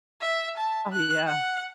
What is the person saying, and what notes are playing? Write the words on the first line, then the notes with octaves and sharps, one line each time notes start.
Oh, yeah.
E5
A5
F#6
F#5